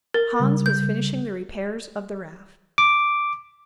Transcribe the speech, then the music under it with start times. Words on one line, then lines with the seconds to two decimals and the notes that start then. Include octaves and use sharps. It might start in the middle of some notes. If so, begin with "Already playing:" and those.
Hans was finishing the repairs of the raft.
0.14 A#4 A6
0.40 C#3 G3
0.66 G6
2.78 D6